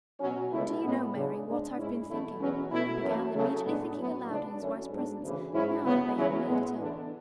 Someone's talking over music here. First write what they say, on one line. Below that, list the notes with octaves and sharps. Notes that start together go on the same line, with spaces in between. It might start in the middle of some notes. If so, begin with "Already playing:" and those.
"Do you know, Mary, what I've been thinking?" he began, immediately thinking aloud in his wife's presence now that they had made it up.
B2 F#3 C#4
C#2 B2 A3 E4
A2 G#3 B3
C#3 G#3 D4
G#2 G#3 B3 D4
G#2 G#3 C#4 E4
E2 B2 F#3 A3 E4
E2 B2 F#3 C#4
B2 A3 E4
F#2 E3 A3
C#3 F#3 A3
A2 G#3 B3 D4
A2 F#3 B3
C#2 C#3 G#3 D4
F#2 D3 A3 C#4 E4
G#2 F#3 B3 D4
D2 C#3 E3
G#2 F#3 C#4 E4
D2 C#3 F#3 B3
E2 C#3 F#3 C#4 E4
A2 G#3 B3
E2 D3 A3 D4